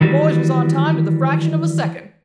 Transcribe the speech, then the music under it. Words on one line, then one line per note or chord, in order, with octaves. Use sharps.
The boys was on time to the fraction of a second.
D#3 E3 G3 F#4